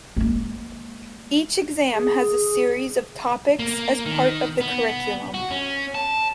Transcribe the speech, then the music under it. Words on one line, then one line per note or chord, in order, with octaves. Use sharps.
Each exam has a series of topics as part of the curriculum.
G#3 A#3
G#4
A#3
D#3
B3
F#4
C#4
A5